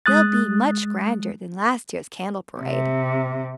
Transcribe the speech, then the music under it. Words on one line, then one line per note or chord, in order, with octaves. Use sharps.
They'll be much grander than last year's candle parade.
G#3 D#6 F#6 A6
C3